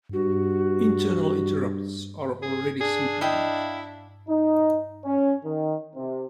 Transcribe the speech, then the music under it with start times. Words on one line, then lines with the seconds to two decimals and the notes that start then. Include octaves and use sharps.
Internal interrupts are already synchronized.
0.13 G2 F#4
2.42 G#4
2.81 D4 G#4
3.21 E4 D#5 F5 G5
4.28 D#4
5.05 C#4
5.44 D#3
5.95 C3